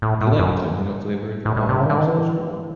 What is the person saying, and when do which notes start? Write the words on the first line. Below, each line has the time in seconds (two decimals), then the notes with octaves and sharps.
do you like coconut-flavored, uh, popsicles or no?
0.02 A2
0.21 A2
0.39 F#2
1.45 A2
1.56 A2
1.69 C3
1.80 C#3
1.86 D#3
1.90 D3
1.98 D#3
2.07 E3